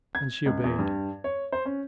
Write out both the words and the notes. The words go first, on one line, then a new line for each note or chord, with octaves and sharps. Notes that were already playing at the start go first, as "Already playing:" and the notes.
And she obeyed.
G#6
C#2
E2
G2
C#5
C5
C#4